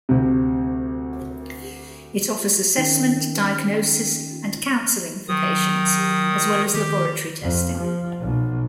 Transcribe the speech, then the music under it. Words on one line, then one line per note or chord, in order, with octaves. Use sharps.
It offers assessment diagnosis and counselling for patients as well as laboratory testing.
D2 C3
D#3 C#4 D#4 G5
D#3 F#3 D#6
D#3 G4
F2
F3
B1